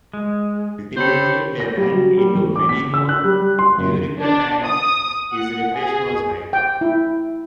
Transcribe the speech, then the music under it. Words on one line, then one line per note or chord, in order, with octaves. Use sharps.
Ultimately they ran into many more during the time his reputation was high.
G#3
D3 G4 A4 C5 C#5 B5
A#6
G3
F#3
G3
E1
D6
B6
E6
F#6
G3
C6
F#1
D4
D#6
F#5
G#4
G5
E4